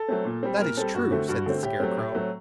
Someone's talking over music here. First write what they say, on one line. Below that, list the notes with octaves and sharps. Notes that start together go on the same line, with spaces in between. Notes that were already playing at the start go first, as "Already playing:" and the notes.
"That is true," said the Scarecrow.
Already playing: A4
F#3 A3 C4
A#2
G3 C4
A#2 A#4
G3 C4 A4
G2 F#4
D3 A3 C4
G2 F#4
D3 A3 C4
A2 G4
F#3 A3 C4
A2
F#3 A3 C4